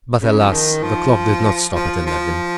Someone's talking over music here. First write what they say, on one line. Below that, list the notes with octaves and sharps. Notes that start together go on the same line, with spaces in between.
But alas! the clock did not stop at eleven.
C#3
F3
D#3
F3
F3
F3